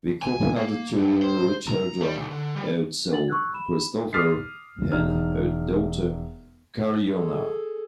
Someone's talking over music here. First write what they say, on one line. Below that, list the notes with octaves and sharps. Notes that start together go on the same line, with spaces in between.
The couple had two children, a son Christopher and a daughter Karianna.
G#5
A#3
F#2
C5
A#5
G3
B1
D3
G3
D4 F#5 A6 F#7
C#6 E6 F#6 G#6
B5 E7
D6 D#6 F6 A6 B6 C7
E1 D#4 F6
G#4 A4